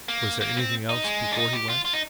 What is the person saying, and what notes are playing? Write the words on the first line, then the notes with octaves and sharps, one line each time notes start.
Was there anything else before he went?
A#3
A#3
C4
D#4
G#3
D4
D#4
G4
F4
F4
D#4